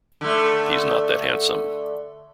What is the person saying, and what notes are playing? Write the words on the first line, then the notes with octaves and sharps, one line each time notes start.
He's not that handsome.
D3 A3